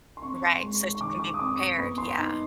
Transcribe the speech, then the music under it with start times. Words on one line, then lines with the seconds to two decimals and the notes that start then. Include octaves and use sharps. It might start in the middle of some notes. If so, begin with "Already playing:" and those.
Right, so she can be prepared. Yeah.
0.17 C6
0.22 C4 C#6
0.42 C6
0.61 G#3 C6
0.81 C#6
0.95 C#6
1.00 D#3 D6
1.20 D6
1.34 D#6
1.39 C4 D6
1.59 C#6
1.78 B3 B5
1.98 C6
2.18 D#4